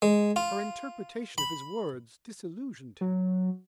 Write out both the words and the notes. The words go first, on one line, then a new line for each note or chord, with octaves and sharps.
Her interpretation of his words disillusioned him.
G#3
F4
B5
F#3